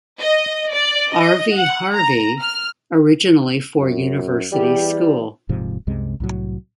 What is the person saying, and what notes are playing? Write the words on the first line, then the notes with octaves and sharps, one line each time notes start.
R. V. Harvey originally for University School.
D#5
D5
D#5
F#5
A#5
F6
F#2
E2 E3 G3 G4
D#1 G#2 C3 F3
C2 F#2 C3 G#3
C2 A2 F#3